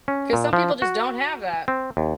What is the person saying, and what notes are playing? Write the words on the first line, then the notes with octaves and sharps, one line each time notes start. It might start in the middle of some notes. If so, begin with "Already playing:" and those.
'cause some people, just, don't have that.
C#4
A#2
F3
F#4
C4
D#2